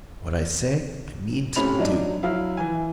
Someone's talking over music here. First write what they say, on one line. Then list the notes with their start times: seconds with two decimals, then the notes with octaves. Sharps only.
What I say, I mean to do!'
1.56 A2 C3 C#4 B5 F7
1.79 F#3 D4 D#4
2.23 F#3 E4 F5
2.57 E3 G#5